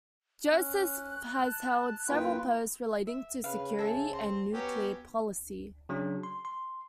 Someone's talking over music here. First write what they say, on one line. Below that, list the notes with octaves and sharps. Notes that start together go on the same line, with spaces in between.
Joseph has held several posts relating to security and nuclear policy.
C#4 F#6
A5
F#2 A#3 E4 F4 B4 G5
E5
C#3 B4 F5
A4 E5 G#5
C4 C6
F#3 B3 C#4 G4
C#3 F#3 D4
C6
C6